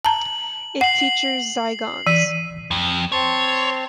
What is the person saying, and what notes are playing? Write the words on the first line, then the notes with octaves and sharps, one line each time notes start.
It features Zygons.
A5 A#5 F#7
F#5 C7 F#7
E3 B6 D#7
F2
C4 C#5 A5 C6